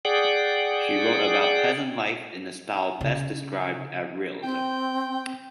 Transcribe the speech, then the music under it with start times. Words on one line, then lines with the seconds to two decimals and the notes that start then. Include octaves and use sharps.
She wrote about peasant life in the style best described as realism.
0.05 G#4 D5 F#5 G5
3.01 C#3
4.43 C4 G5